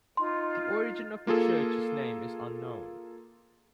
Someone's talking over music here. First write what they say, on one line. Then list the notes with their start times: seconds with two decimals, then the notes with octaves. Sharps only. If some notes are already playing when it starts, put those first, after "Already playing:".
The origin of the church's name is unknown.
0.17 D#4 F4 C6
1.27 A#3 F4 G#4 A4